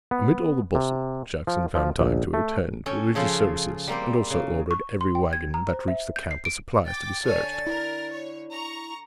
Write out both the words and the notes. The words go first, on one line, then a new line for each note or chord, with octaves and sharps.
Amid all the bustle Jackson found time to attend religious services, and also ordered every wagon that reached the camp with supplies to be searched.
B3
C3
F3
F3
A#1
A3
C#4 A4 G5 G#5
C#3 F3 G#4 A4 C5 F5
G3 A#3 C4 C5
C#3
C#6
C6
G5
G#6
A#5
C5
E5
G6
C7
D7
G5 D6 A6
D3 A4 C#5 G#5
E4 A#4
C#5
A#5 C#6